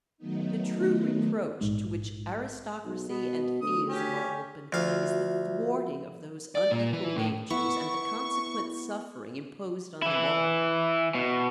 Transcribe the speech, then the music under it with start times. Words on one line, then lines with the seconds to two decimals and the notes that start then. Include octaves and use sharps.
The true reproach to which aristocracy and theism are open is the thwarting of those unequal natures and the consequent suffering imposed on them all.
0.18 D#3 F#3 A3 B3 D#4
1.61 A#1 G#2
2.85 B1
3.09 B2 B3
3.62 D2 D#6
3.89 C#4 G4
4.73 D2 F3 F4 F#4 E5 F5
6.55 D5
6.71 A#2
6.93 E3
7.17 A2
7.50 B3 E4 C#6
10.02 E3 E4
11.15 B2